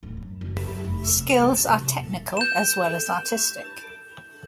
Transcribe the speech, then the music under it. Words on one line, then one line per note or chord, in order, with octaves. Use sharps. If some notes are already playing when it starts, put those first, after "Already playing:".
Skills are technical as well as artistic.
D1
F#2
F#1
F#2
F1
E2
C3
G#3
C#4
C3
C3
D#1
G6 E7